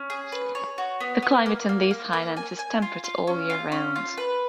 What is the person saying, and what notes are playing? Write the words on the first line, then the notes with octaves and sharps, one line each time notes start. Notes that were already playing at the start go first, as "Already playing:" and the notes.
The climate on these highlands is temperate all year round.
Already playing: C#4
G#4
B4
C#5
F#4
B3
B3
A#3
A#3
A#3
A#3
G#5
G#5
F4
F4
C#4
F4
C#4
F4
B4